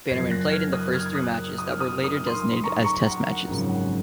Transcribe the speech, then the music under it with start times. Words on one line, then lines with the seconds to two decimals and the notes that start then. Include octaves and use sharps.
Bannerman played in the first three matches that were later designated as Test matches.
0.09 F#1 F#2 F3 G#6 C7
0.31 F#6 A#6
0.52 F6 G#6
0.73 D#6 F#6
0.94 F6 G#6
1.06 G#6
1.15 D#6 F#6
1.58 D#6
1.70 F6
1.80 D#6
1.93 F6
2.04 D#6
2.15 F6
2.27 C6 D#6
2.53 C6
2.64 A#5 C#6
2.84 A#5 C#6
3.06 F#5 A#5
3.27 F#5
3.48 G#1 F#2 C#3 F3
3.69 F#5